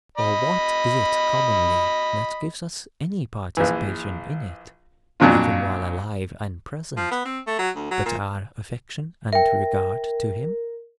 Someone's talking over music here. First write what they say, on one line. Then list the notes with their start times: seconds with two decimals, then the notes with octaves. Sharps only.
Or what is it commonly, that gives us any participation in it, even while alive and present, but our affection and regard to him?
0.18 D#5 B5
3.57 A#1 E3
5.20 F2 A#2 F#3 D4 F4
6.97 F3
7.11 B3
7.25 C4
7.47 A3
7.59 F#3
7.75 D2
7.91 F#3
8.05 A#2
9.33 A#4 E5 G5